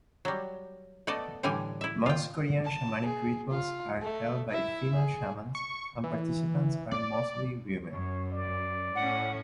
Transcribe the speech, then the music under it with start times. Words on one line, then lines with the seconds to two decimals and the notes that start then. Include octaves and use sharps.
Most Korean shamanic rituals are held by female shamans and participants are mostly women.
0.25 F#3 G3
1.07 A3 B3 A4 D5 D#5
1.43 A2 D3 E3 G3 G#5
1.81 E4 E5
2.06 F4 G5
2.65 A5
3.06 G#4
3.50 F4
4.02 A3
4.50 E4 E5
4.95 G#4
5.55 C#6
6.04 E3
6.91 D5
7.91 F#2 C#5
8.32 D5
8.95 A2 C#4 F#5